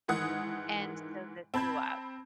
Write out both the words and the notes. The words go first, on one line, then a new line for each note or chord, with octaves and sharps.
And so this blew up.
G#2 D#3 E3 F#5 D#6 G#6
C4 A5 B5 G6 G#6